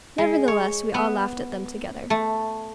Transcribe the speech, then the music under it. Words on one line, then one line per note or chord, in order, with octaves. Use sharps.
Nevertheless we all laughed at them together.
G#3
C#5
B3
A3